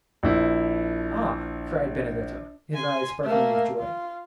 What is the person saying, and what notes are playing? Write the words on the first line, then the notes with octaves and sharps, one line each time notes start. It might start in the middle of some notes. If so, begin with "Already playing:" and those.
"Ah," cried Benedetto, his eyes sparkling with joy.
A#1 E4
G#5 C6
A3 A#3
F4